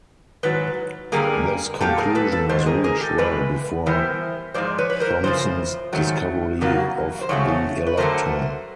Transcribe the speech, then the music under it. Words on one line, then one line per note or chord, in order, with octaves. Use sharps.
This conclusion was reached well before Thomson's discovery of the electron.
G#2 D#3 F#3 B4
G2 D3 G3 A#3 G#4 A#4
A#2 F#3 A#3 G4 A4
G#4 A#4
A4 B4
A4 B4
G#2 D#3 C5
G#4 A#4
G#4 A#4
G4 A4
E2 B2 G#3 B4
A2 E3 G3 B3 A#4 C5
G#2 F3 G#3 C5 D5
B4 C#5
B4
A#4 C5
E2 C#3 F3 C5
G#2 D#3 F#3 A3
E2 C#3 F#3 A#3
C5
F#2 C#3 F#3 A3 C#5
B4
G2 D3 F#3 A3 A#4 C5